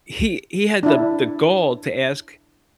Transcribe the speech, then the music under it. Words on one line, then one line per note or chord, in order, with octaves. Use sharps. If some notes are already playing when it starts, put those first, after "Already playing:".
he he had the the gall to ask
D4 E4